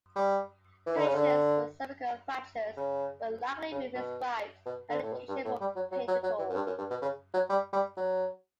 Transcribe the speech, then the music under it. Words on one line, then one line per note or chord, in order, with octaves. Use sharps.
Patients with cervical fractures will likely be prescribed medication for pain control.
G3
E3
D3
C#3
D3
C#3
C#3
B2
B2
D3
A2
B2
G2
A2
G3
F#3
F#3
F#3
F#3
E3
F#2
G2
F#2
G2
B2
C#3
F#3
G3
G3
F#3